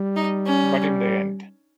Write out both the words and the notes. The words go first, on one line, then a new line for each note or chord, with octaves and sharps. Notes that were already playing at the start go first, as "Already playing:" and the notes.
But in the end.
Already playing: G3
D#4
C#4